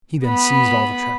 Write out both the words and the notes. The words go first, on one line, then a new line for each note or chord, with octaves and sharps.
He then seized all the trout.
B3 B5